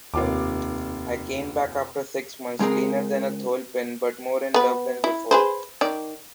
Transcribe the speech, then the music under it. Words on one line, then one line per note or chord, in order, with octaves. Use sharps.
I came back after six months, leaner than a thole pin, but more in love than before.
F1 D#2 F4 D6
C#2 G#3 C4 G#4 A#4
B3 B4
E4
G#4 B4 C5
D#3 D5